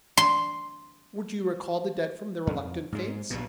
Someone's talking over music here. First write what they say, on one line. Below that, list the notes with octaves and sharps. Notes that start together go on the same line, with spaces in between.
Would you recall the dead from the reluctant fates?
C6
F2
G#2 G#3
A#1 G2 B2